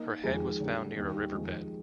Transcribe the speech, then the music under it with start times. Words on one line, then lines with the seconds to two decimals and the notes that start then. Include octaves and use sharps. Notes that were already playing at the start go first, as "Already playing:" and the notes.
Her head was found near a riverbed.
Already playing: A#3 D#4
0.24 F2 D#3 G#3 D#4 G#4
0.60 D3 G3 A#3
0.96 D#2 D#3 G3
1.32 F2 D#3 G#3